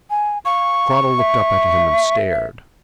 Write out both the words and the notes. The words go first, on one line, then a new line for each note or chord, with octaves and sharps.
Cradell looked up at him and stared.
G#5
F5 C#6
E5